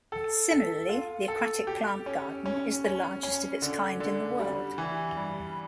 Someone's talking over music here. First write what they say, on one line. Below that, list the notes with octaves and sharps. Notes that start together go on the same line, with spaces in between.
Similarly, the Aquatic Plant Garden is the largest of its kind in the world.
A4
A4
F4
A4
G4
C#4
C#4
C#4
C#4
D3
D3
G3
E3
G2